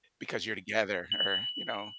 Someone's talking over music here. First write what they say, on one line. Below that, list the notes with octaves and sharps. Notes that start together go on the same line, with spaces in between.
Because you're together, or, you know.
F#7